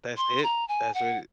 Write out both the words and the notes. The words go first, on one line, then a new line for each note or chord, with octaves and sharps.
That's it? That's really
C6
A#5
G#5
F#5